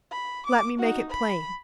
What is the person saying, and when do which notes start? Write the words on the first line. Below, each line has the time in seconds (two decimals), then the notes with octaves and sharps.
Let me make it plain.
0.12 B5
0.46 D6
0.80 D#4 F#4
1.10 B5